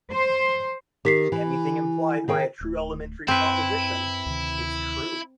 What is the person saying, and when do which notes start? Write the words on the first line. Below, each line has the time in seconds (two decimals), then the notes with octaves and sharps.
Anything implied by a true elementary proposition is true.
0.11 C5
1.05 D#3 G4 B6 C7
1.32 E3
2.28 D#3 G#4 G5
2.61 D1 A3
3.28 F#2 C4 E4 B4
4.26 D2 C3 D#3